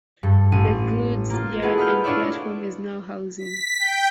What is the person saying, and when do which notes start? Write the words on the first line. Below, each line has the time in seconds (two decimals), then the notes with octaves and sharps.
The goods yard and platform is now housing.
0.23 G2 A4
0.52 A1 D#7
1.30 A#3 F4
1.62 B3 E4 F#4 G#4 A4 B4
1.78 D#5 B5 F6 G6
2.04 D4 E4 F4 C#5 D5 E5
3.37 B6
3.79 G5